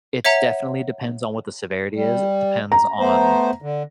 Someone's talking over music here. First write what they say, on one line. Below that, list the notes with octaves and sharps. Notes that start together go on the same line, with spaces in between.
it's definitely depends on what the severity is, it depends on
C#5 E5 F#5 A#5
G3
A#5
A3 B3 C5
D3